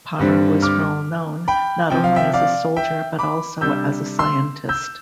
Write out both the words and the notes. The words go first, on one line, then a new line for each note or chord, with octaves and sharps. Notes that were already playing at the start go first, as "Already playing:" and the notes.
Palmer was well known not only as a soldier but also as a scientist.
G2 D3 G3 C4
D6 F6
G5 B5
C3 F3 C4 G5
F5
E5 G5
D5 F5
E5 G5
B5 D6
C3 G3 D4 E6 G6
C6 E6
E6 G6